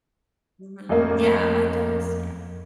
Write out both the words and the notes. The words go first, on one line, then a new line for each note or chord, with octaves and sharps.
Mhm yeah, it does, yeah.
A1 F2 A#3 A4 D#5